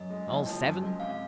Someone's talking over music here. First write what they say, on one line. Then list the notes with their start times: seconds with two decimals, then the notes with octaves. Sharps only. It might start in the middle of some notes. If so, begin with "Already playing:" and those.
"All seven?"
Already playing: F#2 D#5
0.10 G#3
0.28 F#1
0.46 F3
0.64 F#2
0.82 G#3
1.00 C3 F5